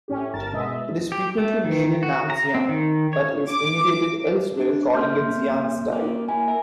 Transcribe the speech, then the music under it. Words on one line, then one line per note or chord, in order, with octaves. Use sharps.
It is frequently made in Nanxiang, but is imitated elsewhere, calling it Xiang-style.
A2 C#4 G4
G1 A#4 A5 A6
B2 G#3 D#5 E5
G4
A3
D#3
F#4
A#5
C4
D#3
C#5
D6
D4
A#3 E5 C6 F6 G6
A#3 G4
A#3 E4 G#5
A#4 E5